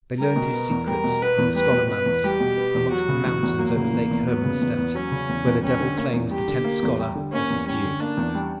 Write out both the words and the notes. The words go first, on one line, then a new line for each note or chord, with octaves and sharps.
They learned his secrets in the Scholomance, amongst the mountains over Lake Hermanstadt, where the devil claims the tenth scholar as his due.
G3 A#4
B2
B3
E2
G3 A#4
B2
B3 B4
E2
G3 B4
B2
B3 B4
E2
G3 G4
B2
B3
E2
F#3 F#4
C#3
E2
E2
F#3 A#3
C#3
E2
E2
F#3 B3
C#3
E2
E2
F#3 C#4
C#3
E2
E2
G3 C#4
D3
A#3
E2
G3 G4
D3
A#3
E2
G3
D3
A#3 C#4
E2
G3 C#4
D3
A#3 D4
E2
G3